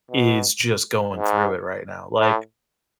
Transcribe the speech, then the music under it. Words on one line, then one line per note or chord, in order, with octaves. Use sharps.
is just going through it right now, like
B2
G#2
A2